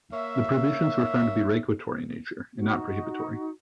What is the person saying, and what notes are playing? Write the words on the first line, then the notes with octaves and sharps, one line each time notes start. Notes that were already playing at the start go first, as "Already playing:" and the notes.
The provisions were found to be regulatory in nature and not prohibitory.
A#3 C#5 E5
D#4 F#4